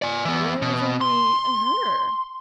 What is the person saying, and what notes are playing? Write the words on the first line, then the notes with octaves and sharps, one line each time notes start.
"There was only HER."
D5 G#5
E3 B3
B2
C6